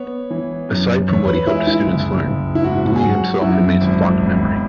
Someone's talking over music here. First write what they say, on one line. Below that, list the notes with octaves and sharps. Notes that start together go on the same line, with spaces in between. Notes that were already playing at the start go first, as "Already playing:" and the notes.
Aside from what he helped students learn, Uli himself remains a fond memory.
Already playing: B3 C#5
E3
F#2
E2 C#5
B4
G#3 E4
E4
F#1
F#1
E4
G#2 F#4
G#4
F#3 F#4
F#2 E4
G#1
E1